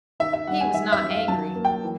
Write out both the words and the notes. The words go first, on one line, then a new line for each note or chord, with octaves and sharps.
He was not angry.
D#3 E5
E5
G3 F#5
G#5
D#3 E5
E5
F#2
F5
F#3 A5
A#3
G5
E3